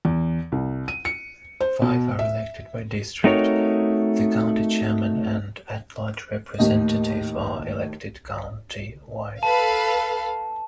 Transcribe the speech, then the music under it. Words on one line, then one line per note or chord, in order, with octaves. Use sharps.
Five are elected by district, the county chairman and at-large representative are elected county-wide.
E2
C2
D#7
C#7
C5
B2
E5
A3 C4 D#4 F#4 A#4 C#5
D#2 A2 D#5
A4 B4 F5 A5